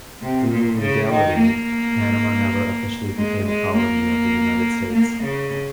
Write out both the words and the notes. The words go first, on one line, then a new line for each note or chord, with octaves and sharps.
Through legality, Panama never officially became a colony of the United States.
C3
A#2
C#3
D#3
A#3
G#3
G#3
A#3
A#3
C#3